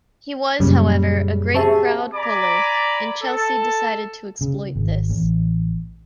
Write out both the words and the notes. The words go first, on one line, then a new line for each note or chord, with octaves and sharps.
He was, however, a great crowd puller, and Chelsea decided to exploit this.
F#2 A#2 C#3 G3
C4 G4 G#4 E5 A5 C#6
D5 G#5 A#5 B5 D6
A4
C#3
G#1
A1